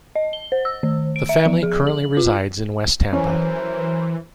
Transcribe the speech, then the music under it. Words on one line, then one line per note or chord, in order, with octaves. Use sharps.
The family currently resides in West Tampa.
D#5
G7
C5
E6
D#3
D7
E5
F3
G#4
F#7
F4
E3 F#3 C#4 A#4 C5